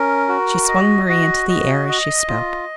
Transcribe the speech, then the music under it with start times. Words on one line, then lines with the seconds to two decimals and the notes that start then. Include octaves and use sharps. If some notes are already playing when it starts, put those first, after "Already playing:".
She swung Marie into the air as she spoke.
Already playing: C#4 A#4
0.28 F#4
0.68 D#5
1.09 F#4
1.48 D#5
1.89 D#5
2.28 F4